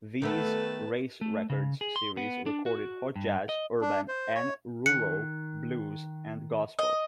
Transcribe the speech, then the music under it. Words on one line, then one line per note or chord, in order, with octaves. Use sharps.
These race records series recorded hot jazz, urban and rural blues, and gospel.
D#3 A3 B3 A4 B4 A5
A3
C#3
G#4
C6
B3
D4
F#4
G2
D#5
D4
C5
C#5
D#3 F#6 C#7
D#5